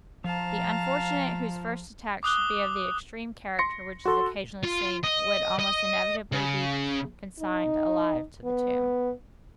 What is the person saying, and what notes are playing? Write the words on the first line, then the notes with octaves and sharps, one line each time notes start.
The unfortunate whose first attack should be of the extreme character which is occasionally seen, would almost inevitably be consigned alive to the tomb.
F3 F5 A5 A#5
D6 D#6 F#6 G7
C6 A#6 C#7
F#4 A4 C6
F4 C6
D#5
D#5
C#3
D#4
B3